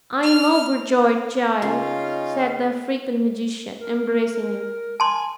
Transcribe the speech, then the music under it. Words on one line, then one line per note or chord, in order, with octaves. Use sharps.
"I am overjoyed, child," said the African magician, embracing him.
F6
C#3 C#4 D#4 F4 F5
A#4
G#5 A5 C6